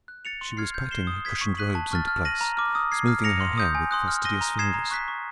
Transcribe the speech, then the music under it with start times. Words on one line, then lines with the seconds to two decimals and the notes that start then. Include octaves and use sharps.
She was patting her crushed robes into place, smoothing her hair with fastidious fingers.
0.08 F#6
0.25 A6 C#7 F7
0.41 C6
0.57 F6 G#6 C7
0.74 G6
0.91 C7 E7 G7
1.07 D#6
1.25 G#6 B6
1.41 C#6
1.57 F#6 B6 D#7 F#7
1.75 A5
1.91 C#6 F6 A6
2.08 F6
2.25 A#6 D#7 F#7
2.41 A#5
2.57 D6 F6
2.75 D#6
2.92 G#6 C7
3.07 F6
3.24 A#6 C#7 F7
3.40 C6
3.58 D#6 G6
3.75 G#5
3.91 C6 D#6 F#6
4.08 F6
4.24 A#6 D#7 G7
4.41 A#5
4.58 D#6 G#6 C7 E7
4.74 A#5
4.91 C#6 F#6 B6
5.08 C#6